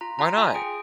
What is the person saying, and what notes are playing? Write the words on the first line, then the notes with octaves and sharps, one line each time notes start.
Why not?
F4 A#5
F4 A#5
F4 G#5
G#4 G5